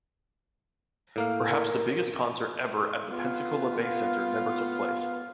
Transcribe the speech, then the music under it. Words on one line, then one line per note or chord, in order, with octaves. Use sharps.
Perhaps the biggest concert ever at the Pensacola Bay Center never took place.
A2 A#3 F5
A#4
B3 F4 F5